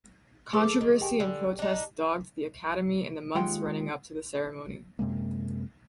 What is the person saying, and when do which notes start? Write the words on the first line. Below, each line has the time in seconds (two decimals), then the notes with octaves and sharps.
Controversy and protests dogged the Academy in the months running up to the ceremony.
0.53 G#4 A4 B4 D6
0.81 D#3
1.01 G4 G5 G#5
1.20 D3
1.59 D4 D#4
3.35 D#2 G#3 F4 F#5 G5 C6
4.99 F#2 C3 G#3 A#3